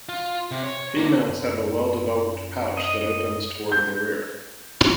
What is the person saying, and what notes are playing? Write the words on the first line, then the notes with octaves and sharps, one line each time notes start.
Females have a well-developed pouch that opens toward the rear.
F4
C3
C#5
D3 A#3
F#2
D#5
G6